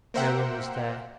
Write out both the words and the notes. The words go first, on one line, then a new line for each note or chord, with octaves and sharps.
No one was there.
A#3 A#4 C5 E5 F#5 G5